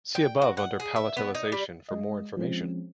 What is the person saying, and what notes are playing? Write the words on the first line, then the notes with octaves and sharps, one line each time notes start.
See above under "Palatalization" for more information.
G5
F#4
F#5
G#4
E5
B3
D#4
G3
G#3 D#5
F3 G#3 C4 C#4